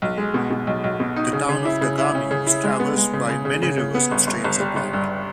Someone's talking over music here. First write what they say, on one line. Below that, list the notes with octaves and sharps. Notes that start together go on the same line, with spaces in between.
The town of Dagami is traversed by many rivers and streams upland.
B1
G#3
B2
B2
B1
B1
B2
D#4
C#3
C#3
E4
C#3
E4
C#4
C#3
E4
G#3
B3
G#3
C#3
C#3
C#3
C#3
C#3
B3
G1
G1
G1
G3
G1
G2